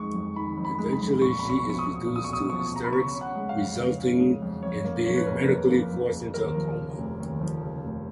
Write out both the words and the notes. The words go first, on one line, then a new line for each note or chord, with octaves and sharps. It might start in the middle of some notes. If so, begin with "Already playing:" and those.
Eventually she is reduced to hysterics, resulting in being medically forced into a coma.
Already playing: F2 D#3 G#3 C#6
F2
D#3 B5
F2
B5
G#3
B5
F2
A#2 C#6
B1 B5
C#6
F3
C#6
D#6
B1
A#2
D#6
C#6
B1 D#6
F3 C#6
B1 A#5
B5
C#3 C#6
C#4
F#5
G#3
F5
F2
C#3
C#4
G#3
F2
F2 C#5
A#3
F3 C#5
B4
F#1 A#4
B4
F2 A#4
A#3
F3
F#1
D#2 A#4
F3
C#3
F1
D#2
F3
C#3
F1